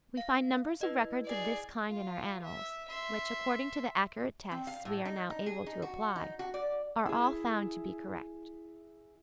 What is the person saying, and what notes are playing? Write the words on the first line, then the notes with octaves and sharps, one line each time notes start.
We find numbers of records of this kind in our Annals, which, according to the accurate tests we are now able to apply, are all found to be correct.
F5
E4 B4 D#5
G#4 D5
F4
E5
E5 C6
C4
F5
A2
D#4
D#4
G#4
D#4
F#4
D#4
F#4
D5
E4 G#4